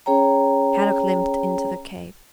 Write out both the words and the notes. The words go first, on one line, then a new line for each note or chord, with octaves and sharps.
Kadok limped into the cave.
C#4 G#4 C#5 G5 A#5